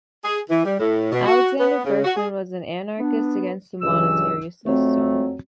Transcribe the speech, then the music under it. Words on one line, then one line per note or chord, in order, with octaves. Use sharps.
Alexander Berkman was an anarchist against the monetary system.
G#4
E3
G3
A2
B2
F#4
B3
C#3
F#4
G#4
B3 D4
C#2 G2 E3 F#3 E6
F2 F#3 A3 C4